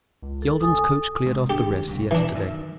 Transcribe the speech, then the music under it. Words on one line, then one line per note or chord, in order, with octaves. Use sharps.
Yalden's coach cleared off the rest yesterday.
C#2
A4
F1 A4 G#5 D#6
C3 G#3 B3
G#1 D4 G4
F#1 C2 A#2
B2 E3 D4
F#2 D#3